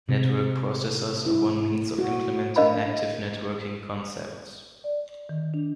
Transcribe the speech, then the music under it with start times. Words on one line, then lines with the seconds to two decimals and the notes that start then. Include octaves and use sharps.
Network processors are one means of implementing active networking concepts.
0.09 C3
1.26 E4
1.99 F#4
2.56 D4 A#4 D#5 F5 B5
4.84 D5
5.29 D#3
5.54 D4